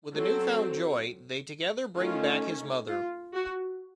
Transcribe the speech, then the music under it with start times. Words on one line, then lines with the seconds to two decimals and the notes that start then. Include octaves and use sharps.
With a newfound joy, they together bring back his mother.
0.15 F#3 C4 A4
1.97 D#3 A3 C#4 F4
2.88 F4
3.33 F#4